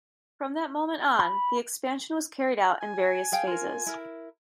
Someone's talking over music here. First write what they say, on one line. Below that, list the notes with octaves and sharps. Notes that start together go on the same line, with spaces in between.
From that moment on, the expansion was carried out in various phases.
B5
G#5
G#4 F5 G5
F4 A#4
E4 A#4